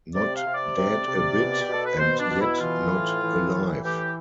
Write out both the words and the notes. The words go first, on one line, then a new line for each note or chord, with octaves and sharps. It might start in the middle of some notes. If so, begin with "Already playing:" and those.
Not dead a bit, and yet not alive.
C3 D5
F5
C3
D5
C3
C3
B2
G4
B2 A4
B4
B2 C5
D4
B2
E4
E3 F4
A2
E3
A2
E3 G4